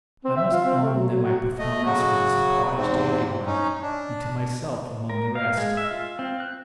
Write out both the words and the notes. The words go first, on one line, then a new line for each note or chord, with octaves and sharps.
I must own that my performance was a surprise to everyone--and to myself among the rest.
C4
E5
F4
C4
A3
F#3
F#3
F#4
A3 D#5
C#3 F#3 F#4
E2 G#2 C3 C4
C#4 D#4
D4
A#4
F5
G#3
E5
F4
C4
F#6